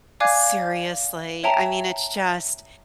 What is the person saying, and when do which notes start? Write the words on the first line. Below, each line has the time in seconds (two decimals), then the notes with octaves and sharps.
Seriously. I mean, it's just
0.20 D5 F5 G#5 D6 F#6 G#6
1.43 C#5 E5 G5 A5 A#5